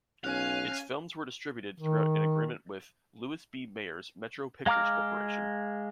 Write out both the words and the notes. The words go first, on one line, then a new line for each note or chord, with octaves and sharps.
Its films were distributed through an agreement with Louis B. Mayer's Metro Pictures Corporation.
B1 C#4 F5 G#5 F#6
D#3
G#3 F5 A#5 D6 F6